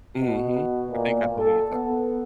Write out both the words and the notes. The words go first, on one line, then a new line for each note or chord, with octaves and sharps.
Mhm. I think I know who you're talking about.
B2
A#2
A4
B3